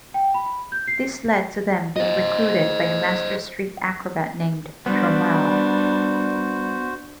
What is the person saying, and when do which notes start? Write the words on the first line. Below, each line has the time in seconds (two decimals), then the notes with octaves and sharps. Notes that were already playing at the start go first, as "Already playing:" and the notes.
This led to them being recruited by a master street acrobat named Dromale.
0.14 G5
0.34 B5
0.72 G6
0.88 C7
1.96 C5 D#5
4.86 G3 B3 D4 F#4 C5